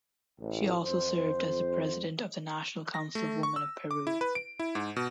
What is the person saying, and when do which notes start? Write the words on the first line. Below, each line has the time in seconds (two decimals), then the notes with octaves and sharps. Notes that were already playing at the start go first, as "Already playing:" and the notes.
She also served as the president of the National Council of Women of Peru.
0.40 A1
0.84 F2 C5
2.94 A#6
3.15 A3
3.43 C#6
3.56 E6
3.91 D6
4.07 E4
4.21 B4
4.35 D7
4.59 E4
4.75 G#2
4.96 B2